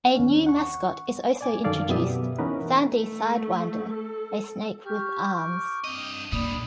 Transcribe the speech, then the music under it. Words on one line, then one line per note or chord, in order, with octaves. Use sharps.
A new mascot is also introduced, Sandy Sidewinder, a snake with arms.
D#2 C#4
F#5 C#6
D5 G#5 D6
F#2 D#3 A4 D5 F5
F#2 B2 B3 G4 E5 D#6
E3 B3 C#4 D#4 A#4 B4
A3
A4
G4 C#6 F6 G6
D6
G2 C4 D#5
A#2 D3 G3 D5 B5 D#6